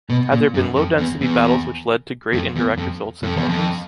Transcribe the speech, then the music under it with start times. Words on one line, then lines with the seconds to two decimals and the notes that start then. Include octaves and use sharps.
Had there been low-density battles which lead to great indirect results in Balkans?
0.10 B2
0.32 A#2
0.54 F#2
0.76 F2
0.98 E2
1.21 E2
2.33 F2
2.56 E2
2.77 F2
3.23 F2
3.36 E2
3.49 F2